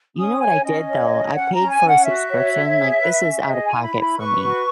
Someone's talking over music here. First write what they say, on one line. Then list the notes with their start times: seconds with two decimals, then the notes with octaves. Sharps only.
You know what I did though, I paid for a subscription, like this is out of pocket for me.
0.16 C#4 D#6
0.40 C#5 G#5
0.63 C#4 D#5
0.87 C#5
1.10 C#4
1.34 C#4 F#5
1.52 A#5
1.58 C#4
1.69 G#5
1.81 C#4
1.88 F#5
2.05 F#4 E5
2.29 C#5
2.52 C#5
2.76 G#4
3.00 B4
3.24 C#4
3.47 G#4 D#5
3.65 G#5
3.71 E4
3.82 B5
3.94 E4
4.00 B5
4.18 B4 C#6
4.41 F#4